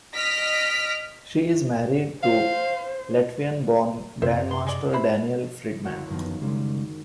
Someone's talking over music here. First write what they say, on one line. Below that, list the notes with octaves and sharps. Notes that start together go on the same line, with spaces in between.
She is married to Latvian-born Grandmaster Daniel Fridman.
D#5 F6 A#6 B6 D7
C5 F5
F#2 C3 F#3 C5 E5
B3 C6
G#3 G#4 D5
E4 C5 B5
F#1 C#2 D3 F#4
F#2 D#3 F3 F#3 B3
C#3 G3 G#3 C5